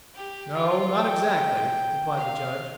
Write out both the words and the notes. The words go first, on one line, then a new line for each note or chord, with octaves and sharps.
"No--not exactly," replied the Judge.
G4
F4
G5
F5